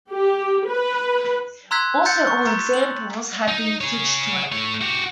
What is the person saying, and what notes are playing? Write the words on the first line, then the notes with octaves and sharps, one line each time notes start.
Also all examples had been switched to it.
G4
B4
A#5 C6 E6 F#6 G#6 B6
G6 A6 C#7
C#6
A#5
F#7
D#4
G#4 C#5
A3 C#5
F#4 G4